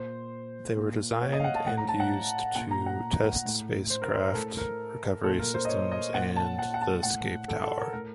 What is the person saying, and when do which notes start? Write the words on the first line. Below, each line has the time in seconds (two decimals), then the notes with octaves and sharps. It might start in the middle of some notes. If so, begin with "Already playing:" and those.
They were designed and used to test spacecraft recovery systems and the escape tower.
Already playing: A#2 C5
0.77 A#2
1.22 C#5
1.33 D#5
1.40 F5
1.44 F#5
1.55 A5
1.66 A2 F#5
1.77 A#5
1.88 A5
2.00 F#5
2.55 A#2 F#5
2.71 A#5
2.86 F#5
3.45 A2
3.90 C5
4.02 A#4
4.12 C5
4.24 A#4
4.35 A2 A4
4.57 A#4
5.24 A#2 A4
5.39 A#4
5.54 C5
5.65 D#5
5.69 C#5
5.92 D#5
6.14 A#2 F#5
6.36 A5
6.59 F#5
6.74 F#5
6.81 A5
7.03 A2 F#5
7.48 A4
7.63 A4
7.78 A#4
7.93 A2 A#4